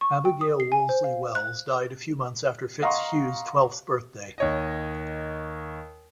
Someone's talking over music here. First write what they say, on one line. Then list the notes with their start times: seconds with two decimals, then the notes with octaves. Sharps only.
Abigail Woolsey Wells died a few months after Fitz Hugh's twelfth birthday.
0.01 C#6
0.25 G5
0.41 D#6
0.60 C7
0.72 G#5
0.89 C5
1.04 F5
1.35 F#6
2.82 D#5 F5 F#5 A#5 C6 C#6
4.38 D#2 C#5 D#5